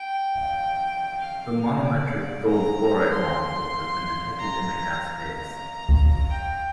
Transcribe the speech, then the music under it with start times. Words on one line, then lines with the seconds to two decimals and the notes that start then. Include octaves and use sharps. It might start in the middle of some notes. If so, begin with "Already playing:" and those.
The monomeric AuF molecule has been detected in the gas phase.
Already playing: G5
1.20 F5
1.83 D5
2.48 A#5
3.11 C6
4.39 A#5
5.02 A#5
6.30 G5